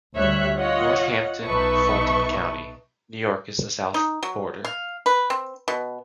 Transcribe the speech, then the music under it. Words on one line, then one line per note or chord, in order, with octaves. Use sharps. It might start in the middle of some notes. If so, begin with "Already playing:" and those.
Northampton, Fulton County, New York is the south border.
D2 G3 C#5 E5 F#6
F4 C#5 D#5 F#5
B1 D#4 B4 E5 A5 C#6
D#4
F#3
F5
B4
C4
B2